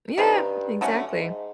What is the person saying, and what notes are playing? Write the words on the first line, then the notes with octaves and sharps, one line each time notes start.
Yeah. Exactly.
G2 D#3 G3 C4 D#4
D3 F#3 A3 C#4
G#2